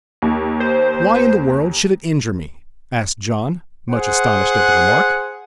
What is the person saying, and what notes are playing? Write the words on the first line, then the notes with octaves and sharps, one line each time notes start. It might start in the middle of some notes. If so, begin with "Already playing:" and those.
"Why in the world should it injure me?" asked John, much astonished at the remark.
D#2
C5
G#4 C5 F#5